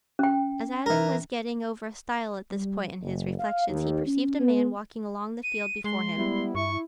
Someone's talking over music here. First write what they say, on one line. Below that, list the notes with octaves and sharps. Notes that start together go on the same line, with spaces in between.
As Adam was getting over a stile at this point in his reflections, he perceived a man walking along the field before him.
C#4 G5
E3 A#4
G3
F#1
F5
D#2
C#4
B3
D#7
G#3 C6
G3 B3 E4
G2 E4 C#6